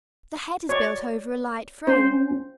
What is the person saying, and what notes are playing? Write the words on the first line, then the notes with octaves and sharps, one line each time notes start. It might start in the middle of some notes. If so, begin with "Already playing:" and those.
The head is built over a light frame.
C#5 D5
C#4 C5